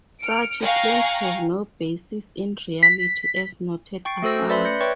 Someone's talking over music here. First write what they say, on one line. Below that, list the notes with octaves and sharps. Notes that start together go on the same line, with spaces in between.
Such claims have no basis in reality, as noted above.
F6 C#7 D7
F5 G5 G#5 A#5 C#6 F#6
B6
G5 C#6 A6 C7 D7
A3 F#4 A4 C5 E6 A#6
A3 C#4
B4 D5 E5 B5 C6
G6 A#6 C#7
B4 C#5 D5 E5 G5 C#6